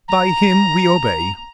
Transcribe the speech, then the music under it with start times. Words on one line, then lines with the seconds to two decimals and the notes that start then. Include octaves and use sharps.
"By him we obey."
0.08 A#5